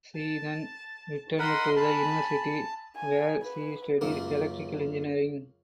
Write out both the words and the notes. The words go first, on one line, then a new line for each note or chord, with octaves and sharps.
She then returned to the University where she studied electrical engineering.
A5
A#4 D#5 F#5 B5 C6
G#5 A5 B5
G#5
B4
C#2 F#2 A#3